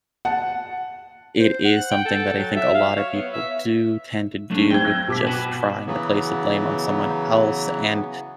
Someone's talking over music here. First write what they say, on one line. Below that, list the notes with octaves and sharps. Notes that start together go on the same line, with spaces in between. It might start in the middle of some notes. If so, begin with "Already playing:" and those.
it is something that I think a lot of people do tend to do with just trying to place the blame on someone else, and,
F#5 A5
C5
F#5
G5
A4
F#3
E5
F5
C#5
B3
E5
F#3 A3 D4
C4 G5 G#6
E6 F#6 A#6
B2 D6 B6
F#4 B4 F#5
C#3 E3 F#3 B3